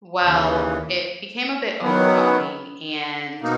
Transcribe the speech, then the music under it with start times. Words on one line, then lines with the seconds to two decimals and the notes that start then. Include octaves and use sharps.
Well, it became a bit overwhelming and
0.22 D#2 C#3 E3
1.82 D#3 F#3 B3
3.41 B2 A#3 D#4